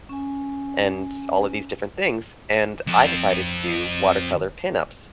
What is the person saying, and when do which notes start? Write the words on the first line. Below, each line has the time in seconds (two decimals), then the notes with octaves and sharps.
and all of these different things, and I decided to do watercolor pin-ups.
0.09 C#4 G#5
2.87 F2 C4